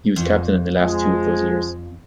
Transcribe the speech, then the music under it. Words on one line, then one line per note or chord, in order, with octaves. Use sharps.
He was captain in the last two of those years.
F2
F3 G#3